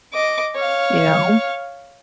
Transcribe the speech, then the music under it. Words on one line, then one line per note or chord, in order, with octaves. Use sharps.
You know?
D#5 D6
C#5 F5